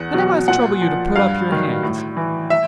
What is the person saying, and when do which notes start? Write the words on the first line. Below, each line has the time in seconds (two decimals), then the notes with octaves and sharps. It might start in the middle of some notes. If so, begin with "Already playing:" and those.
And--I must trouble you to put up your hands.
Already playing: E2 F#5
0.14 B2 F#3
0.48 A#2 F#5
0.82 F3
1.16 G2 F5
1.50 D#3 F#3
1.83 A2
2.17 E3
2.50 E5